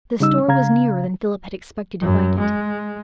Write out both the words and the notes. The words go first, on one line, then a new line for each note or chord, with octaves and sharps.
The store was nearer than Philip had expected to find it.
C#3 G3 D#4 E6
C#3 F5 A#5 G#6
F#2
G#3